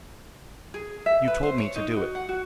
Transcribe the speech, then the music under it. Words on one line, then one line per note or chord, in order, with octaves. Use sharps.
"You told me to do it."
G#4
E5
B4
C5
C#5
D#4
F#4
F#5
F#4